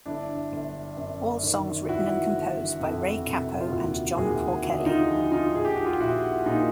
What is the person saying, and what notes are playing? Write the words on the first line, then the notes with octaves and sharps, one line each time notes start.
All songs written and composed by Ray Cappo and John Porcelly.
G1 D4 E4
G1
F#2
D#3
E3 E4 F#4
G1
F2
C3
F4
D#2 E4 F#4
D#2 F#4 G#4
D3 E4 F#4
F#4
D#4 F4
F3
D#4 F4
A#1 G#4
G4
F#4
F4 G4
A#1 E4 F#4
A#2 D#4 F4